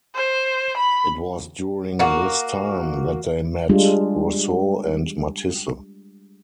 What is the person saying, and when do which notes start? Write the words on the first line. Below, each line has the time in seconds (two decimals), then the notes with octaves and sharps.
It was during this time that they met Rousseau and Matisse.
0.15 C5
0.77 B5
1.99 A#3 F#4
3.69 G3 G#3 D4 F4